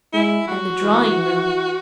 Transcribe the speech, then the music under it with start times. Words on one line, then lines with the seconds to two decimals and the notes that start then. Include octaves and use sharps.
And the drawing-room!
0.13 G#3 E4
0.47 F#3 F#4
0.82 E3